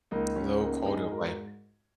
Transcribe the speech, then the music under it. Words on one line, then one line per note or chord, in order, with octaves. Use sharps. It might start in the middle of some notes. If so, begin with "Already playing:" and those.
Low quality of life.
C#2 A#3 D#4
C#2 C#4
C#3 A#3 D#4
G#2 D#4 G#4
G#2 F#4 A#4